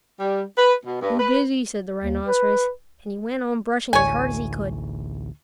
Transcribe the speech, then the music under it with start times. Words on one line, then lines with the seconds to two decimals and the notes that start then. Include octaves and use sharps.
"Too busy!" said the rhinoceros, and he went on brushing as hard as he could.
0.20 G3
0.58 B4
0.85 B2
1.02 G2
1.19 B4
2.01 D#2
2.25 B4
3.93 A1 D2 C#5 G#5